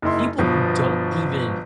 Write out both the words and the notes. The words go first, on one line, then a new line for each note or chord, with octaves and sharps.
people who don't even
F#1 D#4 E4 C6
G1 B2 F3